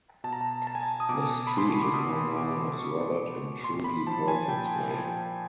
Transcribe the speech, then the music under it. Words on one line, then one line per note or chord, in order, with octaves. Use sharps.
The street is now known as Robert and Trudie Perkins Way.
B2 A5
A#5
A5
A5
G#5
A5
D#6
B2 D6
B5
C6
C#6
D6
B2 D#6
D6
B2 C#6
A#2 C6
B5
F3 A5
G#5
A#2 G5
F3 G#5